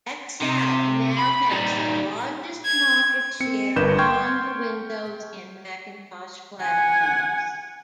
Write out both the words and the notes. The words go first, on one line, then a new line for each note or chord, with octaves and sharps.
Excel now has the largest market share on the Windows and Macintosh platforms.
C3
B5
G3 D#4
G#6
C4 C#7
G1 G2 A#4 B4 G6 E7
G5 C6 C#6 F6 G6 G#6
F#5 G#5